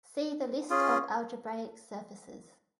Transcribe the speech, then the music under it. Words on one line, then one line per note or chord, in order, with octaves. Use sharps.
See the list of algebraic surfaces.
C#4 F4 G#4